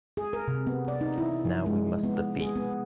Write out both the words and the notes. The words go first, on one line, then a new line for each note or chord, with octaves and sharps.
Now we must defeat.
G#4
A#4
C3
B3
D5
D#4
E4
F3
G#3
B3
G#4
B3